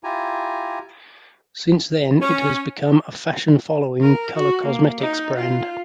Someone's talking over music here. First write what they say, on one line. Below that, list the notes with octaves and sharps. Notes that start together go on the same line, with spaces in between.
Since then it has become a fashion-following colour cosmetics brand.
E4 F4 G4 G#5 A#5
C#4
A#4
F#4
A#3
D#4
F4